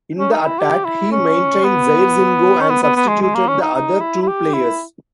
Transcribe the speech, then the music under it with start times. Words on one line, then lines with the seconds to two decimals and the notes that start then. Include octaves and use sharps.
In the attack, he maintained Jairzinho and substituted the other two players.
0.19 C#4
0.32 D#4
0.46 E4
0.59 G4
0.85 E4
1.11 C#4
1.64 B3
2.61 C#4
2.69 B3
2.83 B3
2.96 B3
3.08 G#3
3.22 G#3
3.34 A#3
3.48 C#4
3.61 D#4
3.75 D#4
4.01 E4
4.22 E4
4.28 G4
4.54 E4